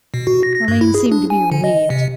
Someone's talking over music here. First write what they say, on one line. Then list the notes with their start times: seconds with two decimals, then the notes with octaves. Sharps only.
Romayne seemed to be relieved.
0.14 B2
0.27 F#4
0.43 A#6
0.55 A#6
0.68 G2
0.81 E4
0.94 G#4
1.12 D4
1.30 G#5
1.52 D3
1.64 D#5
1.90 C3